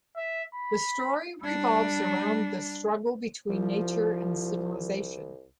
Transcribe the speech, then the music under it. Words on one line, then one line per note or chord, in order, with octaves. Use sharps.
The story revolves around the struggle between nature and civilization.
E5
B5
G3 D4
C2 F3